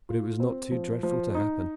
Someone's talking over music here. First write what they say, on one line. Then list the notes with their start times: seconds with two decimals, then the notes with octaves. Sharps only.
But it was not too dreadful to happen.
0.09 F4
0.40 C4
0.72 F3
1.03 F3
1.35 D#4